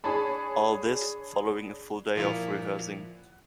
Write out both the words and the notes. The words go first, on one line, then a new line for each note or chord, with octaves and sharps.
All this following a full day of rehearsing.
D4 G#4 C#5 A5 B5
A#2 F3 A#3 E4